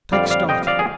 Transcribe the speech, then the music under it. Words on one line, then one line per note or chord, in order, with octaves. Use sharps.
Take Startop.
F2 D3 G3 D5 F5
D5 F5
D#5 G5
D5 F5
G#4